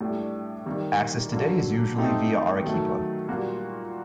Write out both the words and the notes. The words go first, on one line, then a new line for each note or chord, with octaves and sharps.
Access today is usually via Arequipa.
A2 G3 D4 G4
D#3 G3 A#3
D3 F#3 A#3
A3 C4 D#4 G4
D#3 F#3 A3
A#2 G3 A#3 F#4